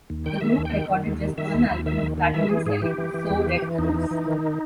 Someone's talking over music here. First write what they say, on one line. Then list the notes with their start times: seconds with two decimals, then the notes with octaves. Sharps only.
The group recorded just one album, the platinum-selling "So Red the Rose".
0.10 D#2
0.26 D#3 G5
0.41 D#3 E5
0.58 D#2
0.65 G5
0.73 D#3
0.89 D#3
1.06 D#2
1.21 D#3
1.37 D#3 E5
1.54 D#2
1.70 D#2
1.86 D#3 E5
2.02 D#2
2.18 D#3
2.34 E3 E5
2.49 E3 G#4
2.66 G#2 G#4
2.82 E3 G4
2.98 E3
3.14 E3
3.30 E2
3.47 E3
3.62 E3
3.78 E2 D#4
3.94 E3
4.11 E3
4.26 D#3